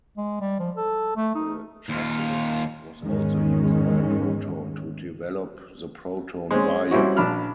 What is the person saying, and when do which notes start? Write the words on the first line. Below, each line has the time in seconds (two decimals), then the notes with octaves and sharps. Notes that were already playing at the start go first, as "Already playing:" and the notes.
The chassis was also used by Proton to develop the Proton Waja.
0.18 G#3
0.41 G3
0.60 F3
0.76 A4
1.16 A3
1.35 D#4
1.89 D#2 F4
3.03 E2 G#2 D#3 G#3 C#4
6.51 G#3 C4 C#4
6.91 G3 C4 C#4 E4 F#4
7.17 A#1 D4 B5 F6